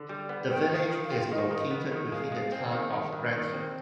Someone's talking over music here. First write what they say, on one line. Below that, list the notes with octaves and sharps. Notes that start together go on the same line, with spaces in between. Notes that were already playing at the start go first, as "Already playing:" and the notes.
The village is located within the Town of Gratiot.
Already playing: D3
G3
B3
D#3 G5
D#3
F5
D#3
F5
F4 G5
F5
D#3 D#5
D#3
B3
D#3
G#3 F5
G#3
C4
D#3
D#3
G2
D#3
C4